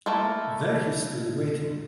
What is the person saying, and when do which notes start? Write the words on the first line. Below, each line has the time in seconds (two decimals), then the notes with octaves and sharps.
There he stood, waiting.
0.06 A3 A#3 E4 A4